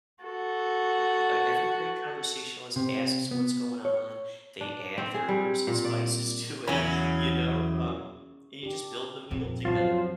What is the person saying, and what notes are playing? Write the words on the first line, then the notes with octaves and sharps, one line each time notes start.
uh, every great conversationalist asks what's going on. They add their herbs and spices to it, you know, um, and you just build the meal together.
F#4 A4
C3
B3
C#5
D4
C4
G#4
G3
A#2
D5
E2 C#3 F#3 E4 G#5 B5
D4 G4
A#1 F2 C4
G1 F#2 F3 F#3 F4 C5